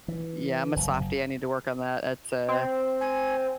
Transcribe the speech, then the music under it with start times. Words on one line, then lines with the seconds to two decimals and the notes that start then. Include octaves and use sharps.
Yeah, I'm a softy, I need to work on that, it's, uh,
0.08 E3
0.76 F#1
2.48 C4
3.01 G#5